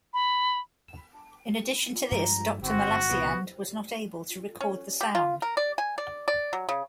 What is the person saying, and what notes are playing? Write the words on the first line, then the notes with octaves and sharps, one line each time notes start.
In addition to this, Doctor Mallasseand was not able to record the sound.
B5
G2 F3 G#3 A#5
G1 G#2 C4 F#4
C2 A#2 C#3 B3
C#4
G4
F4
A#4
D5
G#5
D5
D5
F#3
C#3